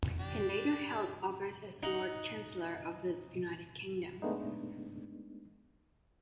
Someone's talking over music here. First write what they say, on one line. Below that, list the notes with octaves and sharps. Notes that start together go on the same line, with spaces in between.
He later held office as Lord Chancellor of the United Kingdom.
D4 G4
D#4 F#5
G#3 A3 B3 D4 D#4